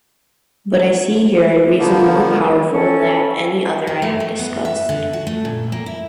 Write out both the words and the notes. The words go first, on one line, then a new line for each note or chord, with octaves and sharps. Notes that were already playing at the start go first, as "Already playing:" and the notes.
But I see here I reason more powerful that any other I have discussed.
D3 F3 A#3 B3
C#4 A4
A#3
A3
A3
B3
E5
D3
F#4
A3
A#2
A#3
E4